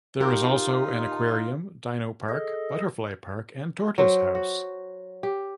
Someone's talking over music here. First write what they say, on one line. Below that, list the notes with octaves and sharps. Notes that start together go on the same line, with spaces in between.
There is also an aquarium, dino park, butterfly park and tortoise house.
D#4 F4 G4 A#4
G#4 A4 D#5
F#3 C5
F#4
G4